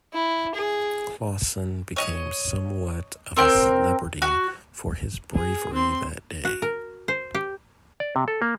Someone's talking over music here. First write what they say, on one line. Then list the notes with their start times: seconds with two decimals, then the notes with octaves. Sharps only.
Clawson became somewhat of a celebrity for his bravery that day.
0.13 E4
0.55 G#4
1.96 C#5 D#5
3.36 C4 A#4 G5
4.22 F#4
5.35 G#4
5.73 C4 C6
6.45 F#4
6.62 A#4
7.08 C5
7.34 G4
8.00 D5
8.16 C3
8.28 A4
8.42 A#3